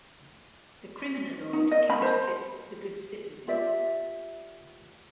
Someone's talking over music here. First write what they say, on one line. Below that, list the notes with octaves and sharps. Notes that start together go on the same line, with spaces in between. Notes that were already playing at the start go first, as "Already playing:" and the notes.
The criminaloid counterfeits the good citizen.
D#4
D#5
B5
C5
F4 G4 D5 E5